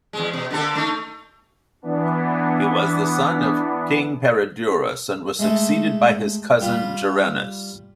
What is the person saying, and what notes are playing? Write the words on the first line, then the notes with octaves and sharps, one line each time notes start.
He was the son of King Peredurus and was succeeded by his cousin Gerennus.
E2 G#3
B2
D3 A#3 A4
A3 D#4
E3 B3 D4
G#3 A3 A4
G3 F4 B5